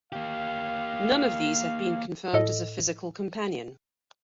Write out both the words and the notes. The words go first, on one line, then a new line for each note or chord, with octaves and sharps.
None of these have been confirmed as a physical companion.
A#3 G4 F5
A2 A4 D#5